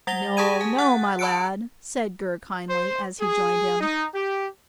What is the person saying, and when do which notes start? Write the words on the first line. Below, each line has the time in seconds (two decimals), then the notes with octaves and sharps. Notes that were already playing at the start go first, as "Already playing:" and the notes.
"No, no, my lad," said Gurr kindly, as he joined him.
0.07 G3 F#5 A6 A#6 F7 G7
0.37 G4 G#4 A5 D#6 G#6 D#7
0.61 G#5
0.79 F#5 F#6 A6
1.19 A5 B5 E6 F#6 C#7 D7
2.70 C5
3.20 G#4
3.81 D#4
4.14 G4